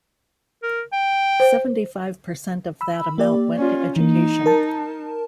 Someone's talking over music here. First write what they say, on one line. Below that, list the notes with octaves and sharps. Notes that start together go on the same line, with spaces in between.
Seventy-five percent of that amount went to education.
A#4
G5
C5
B5 E6
A#3 G4 D5
C#4 F4
E3 A#3 D#4
A#4 A5